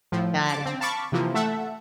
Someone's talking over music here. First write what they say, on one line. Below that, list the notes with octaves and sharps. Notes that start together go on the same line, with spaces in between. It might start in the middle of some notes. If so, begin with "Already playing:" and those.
Got it.
A2 F3
A5 D6
C4
F5 A5 B5 C#6 D6
C3 E3 F3 A#3
A3 A4 E5 F#5